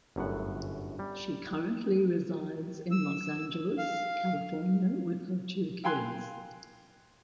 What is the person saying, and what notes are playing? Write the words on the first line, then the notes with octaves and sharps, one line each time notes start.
She currently resides in Los Angeles, California with her two kids.
G1 F#2 A2 F#5
G3
E6
F5
F5 G5 G#5 C6 F#6